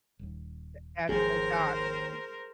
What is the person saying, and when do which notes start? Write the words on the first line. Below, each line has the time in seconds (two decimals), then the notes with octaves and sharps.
Th that's what I thought.
0.19 D#1 D#2
1.09 G#1 D#2 F3 G#4 A#4 C5